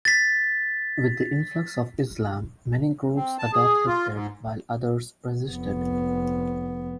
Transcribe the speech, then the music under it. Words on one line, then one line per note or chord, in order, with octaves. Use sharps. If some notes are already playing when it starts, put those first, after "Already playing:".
With the influx of Islam many groups adopted it while others resisted.
A6 B6
C4
A5
G#4
F4
G#2
F1 B3